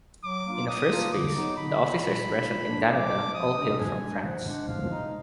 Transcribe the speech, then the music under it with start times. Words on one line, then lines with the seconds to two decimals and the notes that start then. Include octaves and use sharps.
In a first phase, the officers present in Canada, all hailed from France.
0.24 F#3 D6
0.46 A#3 D4 F4
0.68 F#3 D#6
0.90 A#3 D4 F4
1.13 D3 D6
1.35 F#3 B3 D#4
1.57 D3 B5
1.80 F#3 B3 D#4
2.01 A#2 B5
2.23 F3 G#3 D4
2.46 A#2
2.68 F3 G#3 D4
2.90 F3 D6
3.13 G#3 D4
3.34 F3 D#6
3.57 G#3 D4
3.79 F3 G#5
4.01 G#3 D4
4.24 F3 F#5
4.45 G#3 D4
4.67 F3 F5
4.90 G#3 D#4